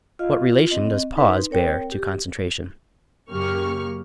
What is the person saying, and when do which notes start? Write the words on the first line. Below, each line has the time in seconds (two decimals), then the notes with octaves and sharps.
What relation does pause bear to concentration?
0.19 F4 D#5 F5
0.47 F4
0.71 C4 D#5
1.16 D#4 B4 C6
1.50 C4 A#4 C#5 G5
1.92 G4
3.30 F#2 C#3 A#3 G4 C#6 F6